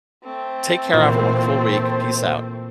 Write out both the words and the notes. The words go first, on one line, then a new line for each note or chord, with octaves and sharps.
Take care, have a wonderful week, peace out.
A3 C4
A#2 E3 C5